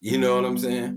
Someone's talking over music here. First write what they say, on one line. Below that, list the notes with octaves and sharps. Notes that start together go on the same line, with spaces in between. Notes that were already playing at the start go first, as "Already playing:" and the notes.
you know what I'm saying?
G3
B3